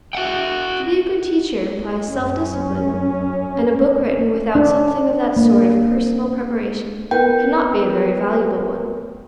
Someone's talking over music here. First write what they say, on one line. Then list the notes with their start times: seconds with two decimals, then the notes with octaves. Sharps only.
To be a good teacher implies self-discipline, and a book written without something of that sort of personal preparation cannot be a very valuable one.
0.13 F#4 E5 F#5 G5
2.08 F#2 C#4
4.55 D4
5.37 A#3
7.11 B3 A#4 B4 G5